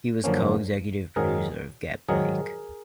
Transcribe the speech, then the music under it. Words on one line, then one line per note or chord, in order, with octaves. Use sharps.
He was co-executive producer of "Get Blake!".
F#2 D3 F3 A#3 C#4
G#2 D#3 F#3 G#4 A#4
G#2 D#3 F#3 G#4 A#4